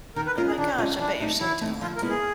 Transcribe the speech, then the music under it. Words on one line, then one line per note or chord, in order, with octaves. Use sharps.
Oh, my gosh. I bet you're so talented.
D#3 A#4
B4
G#3 C#4 F4 A#4
G#4
D#3 D4
G#3 C#4 F4
E3 D4
A3 C4 D#4
E3 E4
A3 C4 D#4
F3 F4
A#4
G#3 B3 E4
G#4